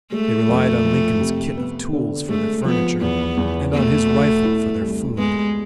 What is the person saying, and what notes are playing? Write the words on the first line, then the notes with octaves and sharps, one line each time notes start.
They relied on Lincoln's kit of tools for their furniture, and on his rifle for their food.
G#3 A3
F2
F3
C3
B3
D3
G#3 A3
F3 B3
E2 B3
E2
A3 B3
B2
E4
C2
G#3 B3